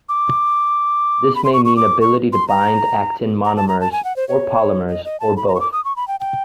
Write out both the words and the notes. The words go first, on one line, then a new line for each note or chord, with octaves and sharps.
This may mean ability to bind actin monomers, or polymers, or both.
D6
B5
C6
C#6
C#6
D6
C#6
C6
A#5
A#5
A5
A#5
A5
G#5
F#5
C5
C#5
D#5
D#5
A5
B5
A#5
C#6
D6
D#6
C#6
B5
G5
G5